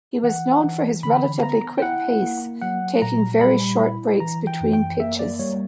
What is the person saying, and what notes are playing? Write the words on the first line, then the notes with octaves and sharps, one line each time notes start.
He was known for his relatively quick pace, taking very short breaks between pitches.
E3 F#5
E3
D3 B5
B3 A#5
G5
E4 F#5
A#3
F#3 F#5
A#2 A#5
G3 B5
E4
E3 A#5
G5
F#2
G5
A#3 E5
D5
G3 C#5